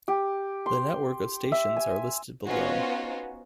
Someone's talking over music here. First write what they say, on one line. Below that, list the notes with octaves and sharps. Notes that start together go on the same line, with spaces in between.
The network of stations are listed below.
G4
C6
E5
G#5
B3 C#4 D#4 F4 F#4 C5